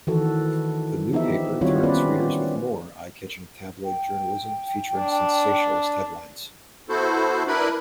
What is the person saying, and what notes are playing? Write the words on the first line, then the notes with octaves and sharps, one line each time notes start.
"The New Paper" targets readers with more eye-catching tabloid journalism featuring sensationalist headlines.
D#3 E3 F#4 A4
F3 B3 D#4 E4 G4 E5
D#3 G3 C4 F4 F#4 C#5
B3 C#4 B4 D5
G5
D4
B3 E4 F#4 A4 C5
D4 E4 A#4 B4 B5